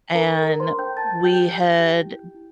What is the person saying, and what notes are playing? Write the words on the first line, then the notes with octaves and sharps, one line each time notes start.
And we had
D4 A#4 A#5
A4 A#4 A#5
C5 C6
D4
G5 G6
A#4 A5 A6
G4 G5 G6
G4
G4
E4
E4